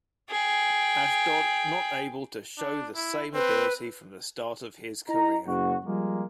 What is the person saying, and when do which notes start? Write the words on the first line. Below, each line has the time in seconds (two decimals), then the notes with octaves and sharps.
Ashdod not able to show the same ability from the start of his career.
0.30 G#4 G5
2.59 D4
2.95 E4
3.35 C4 B4
5.09 E4 D#5 A#5
5.47 F#1 F#4
5.86 F3 G3 G#3 A#3